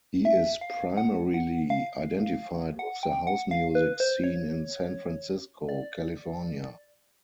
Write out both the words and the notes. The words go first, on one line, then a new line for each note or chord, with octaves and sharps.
He is primarily identified with the house music scene in San Francisco, California.
E5
F5
F#5
F#5
F5
F#5
G5
F#5
F5
B4
C5
C#5
D5